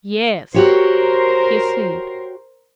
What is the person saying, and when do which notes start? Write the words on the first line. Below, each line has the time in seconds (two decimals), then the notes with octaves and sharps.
"Yes," he said.
0.54 F#4 G4 A#4 C5 C#5